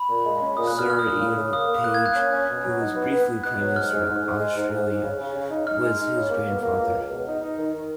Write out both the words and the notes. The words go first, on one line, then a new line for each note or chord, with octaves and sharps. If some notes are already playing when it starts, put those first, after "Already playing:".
Sir Earle Page, who was briefly Prime Minister of Australia, was his grandfather.
Already playing: B5
A#2
G#3
C#4
A#2 D#6
F#6
A#2
F6
A#2 F6
D#6
A#2
C#3
C#3
A#3 D#6
A#3
A#3 F#6
G#6
A#3
F#6
C#4
C#4
B2
F#3
D#4
B3
B3
B3
B2 F#6
F#3
G#2 F6
G#2
G#2
G#2
G#3
G#2
G#2
G#2
C#3
C#3
C#3
D#4
D#4 F6
G#3
D#4
C#3
A#3
B2
A#3
C#2
C#2
B2
D#4
D#4
D#3
D#3